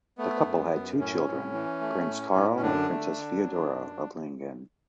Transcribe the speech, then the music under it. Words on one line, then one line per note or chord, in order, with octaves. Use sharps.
The couple had two children, Prince Carl and Princess Feodora of Leiningen.
A3 B3
F#2
F#2
A2 C#4
A2
E3
A3
A2
A2
C#4
F#2 D3 D4
A3
D3
F#3
F#2